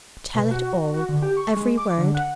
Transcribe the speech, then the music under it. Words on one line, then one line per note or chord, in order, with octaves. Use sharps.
"Tell it all;--every word!"
B2
F#4
F#4
D3
G4
C#6
G#3
D6
D3
F#5